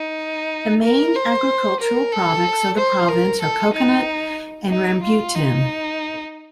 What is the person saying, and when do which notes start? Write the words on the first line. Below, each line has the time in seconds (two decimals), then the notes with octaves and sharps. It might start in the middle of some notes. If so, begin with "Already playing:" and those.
The main agricultural products of the province are coconut and rambutan.
Already playing: D#4
0.83 A#4
1.16 C5
1.80 A#4
2.12 A4
2.77 C5
3.09 A#4
3.41 A4
3.74 D#4
4.70 D#4
5.03 F4
5.35 D#4